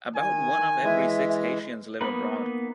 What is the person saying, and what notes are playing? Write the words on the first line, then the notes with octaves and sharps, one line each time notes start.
About one of every six Haitians live abroad.
D#3 G#5
E3 G#3 E5
A#3 B3 D#4 B4